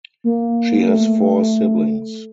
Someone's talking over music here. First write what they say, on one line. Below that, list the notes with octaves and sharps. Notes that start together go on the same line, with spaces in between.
She has four siblings.
A#3
A3
A3
A3